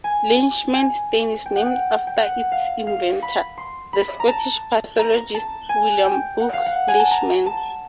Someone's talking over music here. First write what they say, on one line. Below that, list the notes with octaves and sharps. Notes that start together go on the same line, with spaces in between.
Leishman stain is named after its inventor, the Scottish pathologist William Boog Leishman.
G#5
G#5
G5
F#5
G5
G5
F#5
F5
F5
B5
C6
B5
A#5
A5
A#5
A5
G#5
G5
F#5
F5
F#5
G#5
A5
A#5
A5